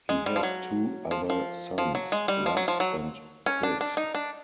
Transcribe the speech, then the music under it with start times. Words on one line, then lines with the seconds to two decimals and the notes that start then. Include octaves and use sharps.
He has two other sons, Russ and Chris.
0.09 G#3
0.26 G3
0.36 F3
0.43 F#3
1.11 F3
1.30 F3
1.78 F3
1.95 F#3
2.12 G#3
2.28 G3
2.46 F3
2.57 F#3
2.68 F3
2.80 F#3
3.46 C#4
3.63 D4
3.81 D4
3.97 D#4
4.15 D4